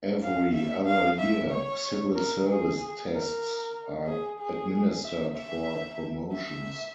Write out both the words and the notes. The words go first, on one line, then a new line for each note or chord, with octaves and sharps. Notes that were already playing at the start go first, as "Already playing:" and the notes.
Every other year, civil service tests are administered for promotions.
F5
E5
F5
E5
C#5
A#4
G#4
A#4
G#4
G#4
E5
E5
E5